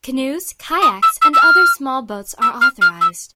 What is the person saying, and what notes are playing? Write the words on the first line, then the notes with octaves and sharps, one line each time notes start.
Canoes, kayaks, and other small boats are authorized.
D#6
E6
E6
E6
F6
E6
F6
F6
E6